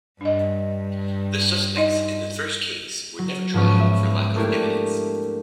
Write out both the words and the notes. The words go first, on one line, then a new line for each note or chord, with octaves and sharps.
The suspects in the first case were never tried, for lack of evidence.
G2 D4 D#5
D#4 D#5
F#3
G#2 F3 B3 C#4
E5
A3 A#3 D4 E4 G4